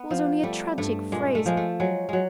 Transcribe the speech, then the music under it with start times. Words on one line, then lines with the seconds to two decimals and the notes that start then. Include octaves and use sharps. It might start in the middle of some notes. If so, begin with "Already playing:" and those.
That was only a tragic phrase....
Already playing: B3
0.11 F3
0.43 G3 A3
0.78 G2 A3
1.12 A#2 G#3
1.35 A3
1.46 F3 G#3
1.57 A3
1.80 F#3 G#3
2.09 F#3 G#3